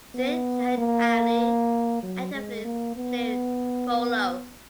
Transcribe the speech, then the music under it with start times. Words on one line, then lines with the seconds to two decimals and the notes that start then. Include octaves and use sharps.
Syed Shahid Ali actively played polo.
0.15 B3
0.78 A#3
2.03 F#3
2.34 G#3
2.65 A#3
2.97 B3